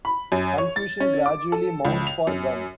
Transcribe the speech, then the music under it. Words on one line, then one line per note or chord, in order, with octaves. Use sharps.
Confusion gradually mounts for Gumm.
B5
F#2
C#5
A6
C#4
D6
A4
C#2
F7
F#2